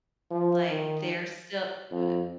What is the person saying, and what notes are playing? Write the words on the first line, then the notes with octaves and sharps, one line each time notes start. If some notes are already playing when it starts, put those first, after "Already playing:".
Like, they're still, uh
F3
D#3
F2